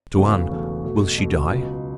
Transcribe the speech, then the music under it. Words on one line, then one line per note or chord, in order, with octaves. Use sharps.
"Tuan, will she die?"
E1 E2 C#3 A3 F#4
E1 E2 C#3 A3 F#4
B1 B2 A3 F#4
B1 B2 A3 F#4
C#2 B2 F#3